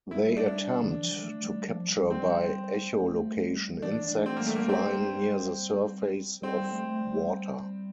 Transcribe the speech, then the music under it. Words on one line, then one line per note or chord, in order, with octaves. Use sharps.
They attempt to capture by echolocation insects flying near the surface of water.
G3 E4
D4
D3
E3
F3
G3
A3
G3
F3
G3
G3 C4
A3
G3
E3 D4
A3
C4
G3 A#3
A3
A#3
C4
G3 C4
A3
G3